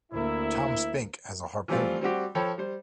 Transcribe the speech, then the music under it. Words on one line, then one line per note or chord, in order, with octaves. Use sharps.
Tom Spink has a harpoon.
D2 A#3 E4
E3 F3 G3 A3 C4 F4
G3 C4 F#4 G4
F3 A4 C#5 G5 B5
G3 C5